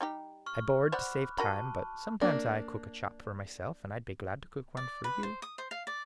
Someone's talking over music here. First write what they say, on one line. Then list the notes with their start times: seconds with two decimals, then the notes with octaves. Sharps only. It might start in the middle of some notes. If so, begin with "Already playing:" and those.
I board, to save time, but sometimes I cook a chop for myself, and I'd be glad to cook one for you.
0.01 G3 D#4 G4
0.46 C#6 F6
0.92 C5 D5 F#5 B5 D6 F#6
1.38 F#4 A#4 A5 B5 C#6
2.21 A#3 D4
4.77 D5
5.04 B4
5.23 C5
5.42 D#6
5.58 C5
5.71 F5
5.87 D5